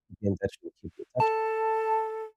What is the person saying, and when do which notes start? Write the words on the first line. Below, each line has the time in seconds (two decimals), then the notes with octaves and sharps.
keep in touch you keep in touch
1.20 A4 A5